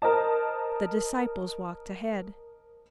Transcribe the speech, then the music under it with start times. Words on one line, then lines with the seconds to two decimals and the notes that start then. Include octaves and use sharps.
The disciples walked ahead.
0.02 A#4 C5 D#5 A5